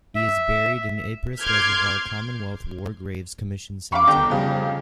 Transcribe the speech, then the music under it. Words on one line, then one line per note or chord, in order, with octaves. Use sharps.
He is buried in Ypres Reservoir Commonwealth War Graves Commission Cemetery.
E5
C6 D6 F6 G6 G#6
F5 A#5 B5 C#6 D6
G1 G5 A#5
F2 C#3 G3